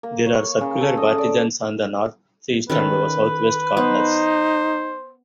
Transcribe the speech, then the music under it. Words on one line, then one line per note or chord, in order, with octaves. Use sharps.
There are circular bartizans on the northeast and southwest corners.
A#3
C#5
C#3
A4
D#5
D5
D#3 C#4 A4 B4
B3 D#4 C5